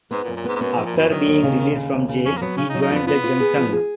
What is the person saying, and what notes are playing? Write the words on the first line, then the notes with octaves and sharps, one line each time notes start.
After being released from jail he joined the Jan Sangh.
G#2 B3
A#2
F#2
A#2
G#2 B3
G#2
F#2 B3
G#2
F3
A#2
F#2 B2
D#3 F#3
D#2
C#3
D#2
C#3
D#2
C#3
F2 C#4
A#3
F#3 B3
C#3 C#4
D#4
F#3
D#4
F2 B3
B3 F4
F4
G#4
F3
G#4